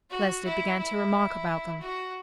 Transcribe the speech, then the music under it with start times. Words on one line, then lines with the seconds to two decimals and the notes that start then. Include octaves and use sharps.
Leslie began to remark about them.
0.10 F#4
0.45 E4
0.79 E4
1.81 F#4